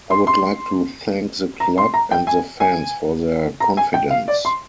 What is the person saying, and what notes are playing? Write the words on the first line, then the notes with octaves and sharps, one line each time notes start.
I would like to thank the club and the fans for their confidence.
C6
C6
A#5
C6
A#5
G5
G#5
G#5
A#5
G#5
G5
F5
D5
C6